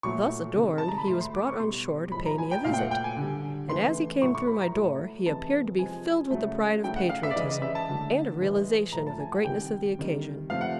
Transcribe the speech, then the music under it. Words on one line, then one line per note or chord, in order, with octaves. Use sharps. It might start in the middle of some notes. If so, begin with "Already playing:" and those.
Thus adorned he was brought on shore to pay me a visit, and as he came through my door he appeared to be filled with the pride of patriotism and a realization of the greatness of the occasion.
A#2 F#3 A3 C#6
C3 D#3 G#3
A5
A#5
B5
A2 F#3 A3 C6
C6
D6
C#6
B2 G3 C6
A2 F3 G#3 B5
A#5
G#5
G5
A#2 F#3 A3 F5
G5
F#5
G5
G#5
D3 G3
C#3 E3 A3 C6
A2 F#3 A3 C#6
C#6
B5
A#5
A2 F#3 A3
C3 E3 G#3 A5
C3 F3 G#3 G#5
C#3 F#3 A3
C#3 F#3 A3 G5
F#5
F5
E5
D5
C#3 E3 G#3 D#5
D#5
E5
A5
D3 F#3 A3
A2 E3 G#3
A2 F3 A3 A#5
A5
G#5
F#5
C3 D#3 G3 G5
C3 D#3 G3
C3 F3 A3 F5
F#5